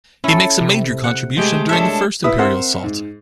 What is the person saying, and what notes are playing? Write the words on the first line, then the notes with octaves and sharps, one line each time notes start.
He makes a major contribution during the first imperial assault.
C#4 E4 A4
C3
F#5
G#3 A3 G4
G#3 D4 A4 C#5 E5
E4 B4 D#6
C4 A#4 C5 E5 F#5
G#2